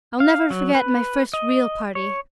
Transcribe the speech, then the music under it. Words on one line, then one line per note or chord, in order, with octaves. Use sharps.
I'll never forget my first real party.
F5
F#3
B4
D#5
C#5